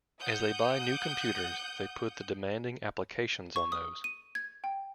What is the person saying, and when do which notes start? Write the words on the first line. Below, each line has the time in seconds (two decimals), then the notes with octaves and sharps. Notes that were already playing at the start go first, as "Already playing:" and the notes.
As they buy new computers, they put the demanding applications on those.
0.19 F#5 D#6 G6
3.56 C#6
3.72 D#6
4.04 D#7
4.35 G#6
4.64 G5